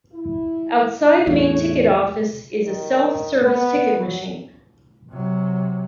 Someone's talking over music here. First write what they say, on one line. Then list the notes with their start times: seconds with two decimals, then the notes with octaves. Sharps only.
Outside the main ticket office is a self-service ticket machine.
0.13 E4
1.27 E2 A2 C#5
2.67 D#3
3.45 B3
3.99 F#3
5.10 C3 F#3